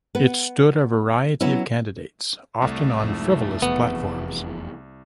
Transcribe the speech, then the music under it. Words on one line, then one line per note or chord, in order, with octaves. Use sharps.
It stood a variety of candidates, often on frivolous platforms.
B3 B4
F#3 B3 C#4 E4
C2 A3
F2 G#2
F1 E2 B3